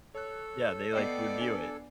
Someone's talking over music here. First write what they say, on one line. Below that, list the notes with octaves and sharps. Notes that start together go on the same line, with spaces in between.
Yeah, they, like, review it.
A4 C#5 F#6
B3 D5 D#5 G5 C7
D4 G#5